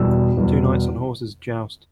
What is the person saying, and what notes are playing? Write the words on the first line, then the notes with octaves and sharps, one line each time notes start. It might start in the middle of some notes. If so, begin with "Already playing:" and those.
Two knights on horses joust.
Already playing: E2 B2 G3 E6
E2 B2 G3